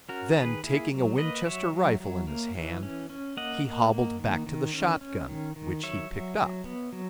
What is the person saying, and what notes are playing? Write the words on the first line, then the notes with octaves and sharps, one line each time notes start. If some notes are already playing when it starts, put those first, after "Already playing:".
Then taking a Winchester rifle in his hand, he hobbled back to the shot gun, which he picked up.
C#4 F#4 A#4
D#3 G#4 B4
A#3 E4 G#4
F#3
A#3 B4 D#5
F#3 C#5 E5
F#3
F#3
A#3
E3
C#4
C#4
A#3 D#5 F#5
A#3
A#3
D#3
D#3
C#4
C#4
D#3
D#3
F#3 C#5 E5
F#3
F#3
B3
F#3